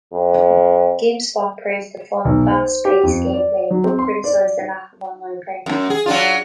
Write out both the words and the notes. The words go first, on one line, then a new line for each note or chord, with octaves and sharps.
GameSpot praised the "fun, fast-paced gameplay" but criticized the lack of online play.
F2
B1
C5
G4
F2
D5
F#3
C4
C6
D5
F#2
G#4
F#3 D4 F4